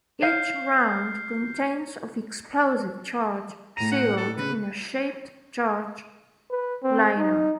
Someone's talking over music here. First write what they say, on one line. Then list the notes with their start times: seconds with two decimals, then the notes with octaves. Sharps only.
Each round contains of explosive charge sealed in a shaped-charge liner.
0.22 C#5 F5 F6 G6 C7
3.77 A2 A#5 D#7
3.92 F#5
4.17 A4
4.37 C#3 B4
6.51 B4
6.83 C4
7.17 D#4